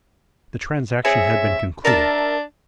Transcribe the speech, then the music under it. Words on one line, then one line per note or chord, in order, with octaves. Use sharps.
The transaction had been concluded.
C4 G#4 C#5 E5
D4 A#4 E5 A5